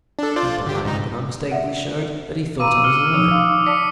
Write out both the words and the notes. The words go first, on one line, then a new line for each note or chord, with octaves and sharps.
He politely but unmistakably showed that he thought I was a liar.
D4 A4
F4 C5 D5
D3 G4
G#2 D#4
D5 E5 F#5
F5 A#5 C6 D6 E6 D#7
F6 C#7 D#7
F3 D#4 D#6 E6
F5 C6
D5 A5 B6 C#7